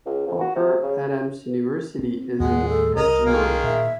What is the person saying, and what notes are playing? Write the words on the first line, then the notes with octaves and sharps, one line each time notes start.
Harper Adams University is in Edgmond.
C#2
F2
F#4
C3
C#3
C4
D#2 A2 G3 G#3 F#5
A4
C2 A#4 D#5 A#5
D#3 G#3 A#3
A#2 E5